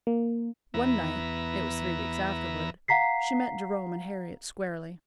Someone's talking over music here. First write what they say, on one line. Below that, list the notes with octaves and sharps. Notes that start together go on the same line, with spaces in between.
One night--it was three weeks afterward--she met Jerome and Harriet squarely.
A#3
E2 B3 E5 A#5
F5 F#5 A#5 B6 C7